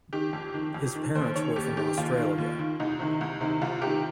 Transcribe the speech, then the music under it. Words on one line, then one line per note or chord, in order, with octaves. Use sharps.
His parents were from Australia.
D#3 G4
F2
D#3
F2
D#3
D#2 C5
D#3 C#5
D#2 G4
D#3 G4
D#2 F4
D#3
D#2
D#3
C2 D#4
C3 D#3
C2
C3 D#3
C2 F4
C3 D#3 G4